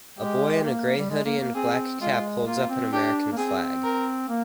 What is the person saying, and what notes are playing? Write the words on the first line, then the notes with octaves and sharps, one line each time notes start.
A boy in a gray hoodie and black cap holds up an American flag.
G#3 G4
A#3
G3
G#3
A#3
A#3
C4 G#4
G#3 F4
A#3 F4
C4
D4 G4
A#3
C4 G#4
A#4
A#3